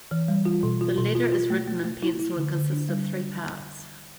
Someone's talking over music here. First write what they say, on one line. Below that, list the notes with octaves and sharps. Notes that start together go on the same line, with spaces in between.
The letter is written in pencil and consists of three parts.
E3
G3
F4
B2
F4
B2
F4
F4
A3
A3
A3
E4
E4
D3
D3
D4
G3